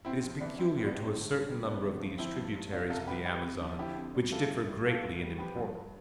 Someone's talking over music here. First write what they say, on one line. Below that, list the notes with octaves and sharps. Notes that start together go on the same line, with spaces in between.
It is peculiar to a certain number of these tributaries of the Amazon, which differ greatly in importance.
C3 C4 E4
F2 C4
E3 B3 D4
F3 C4 E4
A2
B3 D4
A2 C4
D3
G2
G3
C3 B3 D4
D2
F3
F3 C4 E4
G2
G2
C3 D4 F4
C2 F4 A4
G3 G4 B4
C3 G4 B4
F2
F3
D3 E4 G4
F2
G3
E3 F4 A4
G2
G3
B2 F4 A4
C2
G3
F3 G4 B4
G2
G2